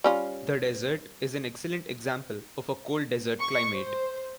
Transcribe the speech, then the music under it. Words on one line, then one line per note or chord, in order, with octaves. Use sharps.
The desert is an excellent example of a cold desert climate.
G3 C#4 F4
C#6
C5